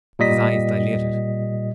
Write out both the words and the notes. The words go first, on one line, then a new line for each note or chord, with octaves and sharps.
His eyes dilated.
A#2 G3 D#5 B6